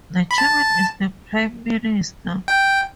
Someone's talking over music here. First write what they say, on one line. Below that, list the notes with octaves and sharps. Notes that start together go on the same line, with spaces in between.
The chairman is the prime minister.
B5
A5
G5